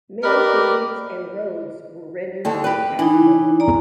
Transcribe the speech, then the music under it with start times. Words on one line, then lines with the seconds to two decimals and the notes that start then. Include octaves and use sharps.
Many buildings and roads were rendered impassable.
0.23 G4 A#4 B4 D5 D#5
2.45 D#2 D3 A4
2.64 G4 B4
2.99 E3 D4 D#4
3.60 D5 A#5